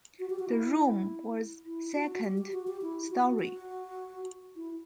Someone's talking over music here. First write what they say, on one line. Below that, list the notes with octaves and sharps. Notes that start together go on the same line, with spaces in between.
The room was second storey.
F#4
G4
F#4
E4
E4
F#4
G4
G4
F#4
G4
E4
F#4
F#4
E4